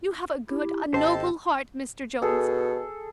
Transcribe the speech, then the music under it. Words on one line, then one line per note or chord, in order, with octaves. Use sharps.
You have a good--a noble heart, Mr Jones.
E4 G4
G#1 G4 A4 C5 D#5 A5
B2 G#4 A4